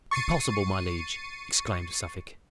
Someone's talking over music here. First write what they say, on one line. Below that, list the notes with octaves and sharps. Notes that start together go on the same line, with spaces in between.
"Impossible, my liege?" exclaimed Suffolk.
C#6 A6 C7 C#7 D#7